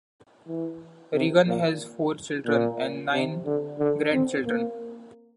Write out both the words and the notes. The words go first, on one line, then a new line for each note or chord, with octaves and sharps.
Regan had four children and nine grandchildren.
E3
C3
A#2
A#2
C3
D3
D3
C4
A#3